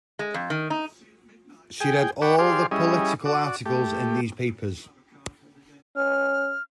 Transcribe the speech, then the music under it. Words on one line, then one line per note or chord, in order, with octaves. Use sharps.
She read all the political articles in these papers.
G#3
F2
D#3
D#4
G#4 G5
D5 F#5 G5 B5 C#6
G4 G#4 C5 D5 F5 C6
G3 C#4 E4 G#4 D#5
F#4 D5
A3 G4
C#4 F6